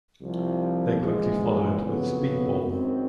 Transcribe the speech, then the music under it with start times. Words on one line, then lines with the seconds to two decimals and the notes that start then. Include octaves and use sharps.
They quickly followed with "Speedball".
0.20 C2 C3 F3
1.00 A#1 G#2 E3 G#3
1.81 F2 C#3 F#3 B3
2.61 F#2 D#3 G#3 C4